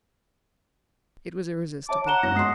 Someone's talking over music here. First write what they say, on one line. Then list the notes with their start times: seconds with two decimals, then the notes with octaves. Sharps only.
'It was irresistible.
1.89 C#5 E5 A5 D6
2.07 F#5 A#5 E7 G7
2.23 G1 F#2 A#6
2.36 G#3 C6 D#6 F#6 C7